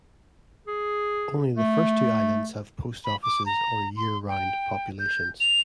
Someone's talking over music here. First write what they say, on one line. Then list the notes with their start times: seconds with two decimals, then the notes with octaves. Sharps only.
Only the first two islands have post offices or year-round populations.
0.67 G#4
1.56 A3
3.04 B5
3.23 D6
3.46 A#5
3.97 C6
4.29 G5
4.99 G6
5.40 F7